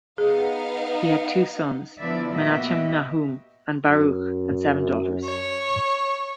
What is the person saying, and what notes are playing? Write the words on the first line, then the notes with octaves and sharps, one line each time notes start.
He had two sons, Menachem Nahum and Baruch, and seven daughters.
B3 D#4 G#4 F5
D3 F3 B3 E4 D5 E5
A#2 B3 F#4 G4 D#5 E5
F#2
C#5